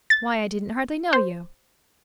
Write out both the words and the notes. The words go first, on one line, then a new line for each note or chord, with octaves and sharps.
"Why, I didn't hardly know you!"
A6
C5